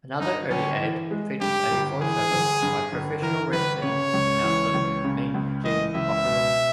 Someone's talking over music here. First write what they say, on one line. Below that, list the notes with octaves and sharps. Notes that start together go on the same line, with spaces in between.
Another early ad featured a voiceover by professional-wrestling announcer "Mean Gene" Okerlund.
G2 D#4
G1 C#4
E3
G#3
G2 G4
G1
E3 G#4
G1
G2
G1
E3 A#4
G1 B4
C#3 C#5
C#2
E3
C#2
C#3
C#2
E3 D#5
C#2 E5
B2